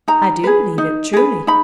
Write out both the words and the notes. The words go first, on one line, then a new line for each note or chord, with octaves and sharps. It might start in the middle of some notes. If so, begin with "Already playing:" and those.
"I do believe it, truly."
D#4 A#5
G#4 B4
D#4
G#4 B4
D#4 B5